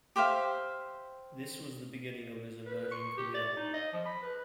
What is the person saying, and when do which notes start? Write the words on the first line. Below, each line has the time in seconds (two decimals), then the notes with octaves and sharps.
This was the beginning of his emerging career.
0.16 G4 C5 E5 F5
2.66 B4
2.92 C#6
3.17 G4
3.34 D5
3.57 D#4
3.74 D#5
3.93 F3
4.06 B5
4.22 B4